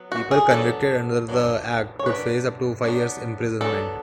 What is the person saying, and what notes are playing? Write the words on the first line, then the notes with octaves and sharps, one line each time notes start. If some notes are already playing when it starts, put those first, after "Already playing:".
People convicted under the act could face up to five years imprisonment.
Already playing: F#3 B3
F#4
G#4
F#3 B3 D4 A4
F#3 B3 D4
C#5
F#3 B3 D4 B4
F#3 B3 D4
F#3 B3 D4 A4